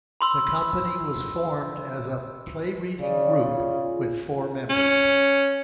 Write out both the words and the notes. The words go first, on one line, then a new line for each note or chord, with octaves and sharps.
The Company was formed as a 'play-reading group' with four members.
B5 C6 E6
C#3 D5
F4
C#4